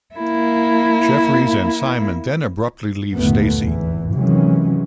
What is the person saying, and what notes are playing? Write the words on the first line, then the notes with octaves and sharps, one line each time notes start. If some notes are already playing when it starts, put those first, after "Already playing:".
Jeffries and Simon then abruptly leave Stacey.
A#3 E4
G1 D#2 A#2 D3 A3 B3
G#1 E2 E3
C3 D#3 E3 F#3 G#3 C#4